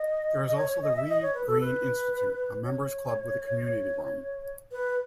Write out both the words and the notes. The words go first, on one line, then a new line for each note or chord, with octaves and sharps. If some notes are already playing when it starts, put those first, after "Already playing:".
There is also the Wrea Green Institute, a members club with a community room.
Already playing: D#5
D#5
C#5
C#5
D#5
E5
D#5
C#5
B4
A4
B4
C#5
B4